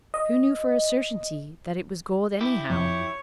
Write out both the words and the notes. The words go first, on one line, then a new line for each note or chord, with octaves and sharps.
Who knew for a certainty that it was gold anyhow?
D#5
E4 G4
F2 F4 C#5 G6